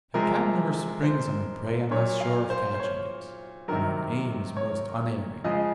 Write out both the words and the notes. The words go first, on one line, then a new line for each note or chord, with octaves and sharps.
A cat never springs on her prey unless sure of catching it, and her aim is most unerring.
C3 F3 G#3 A#4
C5
A#2 F#3 C#5
F5
C5
C5
C#5
C3 D#3 F#3 A#4
C#5
C#3 F3 G#3 D#5